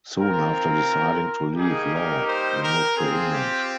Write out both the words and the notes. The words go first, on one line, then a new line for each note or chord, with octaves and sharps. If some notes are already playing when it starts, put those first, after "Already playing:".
Soon after deciding to leave law he moved to England.
C4 F4 A#4
G3 A#3 D#4 G4 G#4
A#4
C5
A#4
C4 F4 G#4
G4